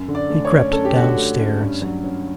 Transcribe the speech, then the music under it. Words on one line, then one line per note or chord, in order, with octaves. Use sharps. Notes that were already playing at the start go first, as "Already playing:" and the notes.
He crept downstairs.
Already playing: F#2
D3
D5
A3
C#5
C#4
F#2 A4
G4
D3 F#4
G4
A3
C#4
G2
F#3
C#4